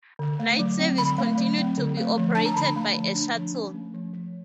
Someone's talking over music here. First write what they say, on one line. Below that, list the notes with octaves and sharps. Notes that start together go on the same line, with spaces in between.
Night service continued to be operated by a shuttle.
D3
A3
F#3
C4
D3 B5
A3
F#3
C4
D3
A3
F3
D4 A5
A#5
D3 B5
A3
F3
D4
F3
C#4
A3
F3
F3